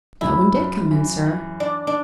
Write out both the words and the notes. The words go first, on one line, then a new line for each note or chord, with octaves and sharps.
"No one did come in, sir."
F#2 E4
F#2
E3
E3
D4 D5
D4